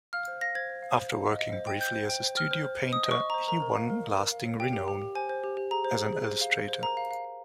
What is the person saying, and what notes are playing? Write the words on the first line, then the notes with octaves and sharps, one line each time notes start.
After working briefly as a studio painter, he won lasting renown as an illustrator.
F5 F6
C5
F5 A#6
C5 G#6
C5
F5
C5
F5
D#5
D#5
C5
G5
C5 G6
C5
G5
C5
G5 F6
C5
C5
C5
D#5 D#6
D#5
C#6
D#5
C5 A#5
A#4 A#5
A#4
F5
A#4
A#4
A#4
F5
C#5
G4 G5
G4
G4
G4
C5 G#5
C5
G4
G4
G#4 A#5
C5
G#4
G#4
C5
F5
F5
C5
A#4 A#5
F5
F5
F5